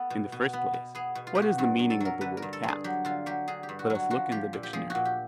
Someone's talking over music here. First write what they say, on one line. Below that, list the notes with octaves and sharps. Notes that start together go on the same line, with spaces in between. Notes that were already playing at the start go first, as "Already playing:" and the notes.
In the first place, what is the meaning of the word "Cat." Let us look in the dictionary.
Already playing: B3 A4
B2
B2
B3
B2
B3 G#4
B2
F4
B2 G4
F#4
G2 F#4
F#3
A4
F#3 A#4
D3 B4
A#4
G2
A4
G2 G#4
F#3 G4
D3 F4
F#3 G4
D3 G#4
G4
G2
F#4
F#3
F#4
F3 F#4
F3 G4
A#2
G4
F3 G#4
F#4
A#2
G4